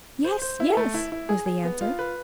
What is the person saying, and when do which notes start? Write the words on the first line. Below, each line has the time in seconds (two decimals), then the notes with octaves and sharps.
"Yes, yes," was the answer.
0.24 C5
0.42 C5
0.60 E4
0.77 A3
0.94 E4
1.12 E4
1.29 G#4
1.46 G#4
1.64 B3
1.81 F4
1.99 B4